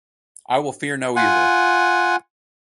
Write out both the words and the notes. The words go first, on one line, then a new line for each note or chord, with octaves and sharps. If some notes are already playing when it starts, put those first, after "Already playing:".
I will fear no evil.
F4 F#5 G#5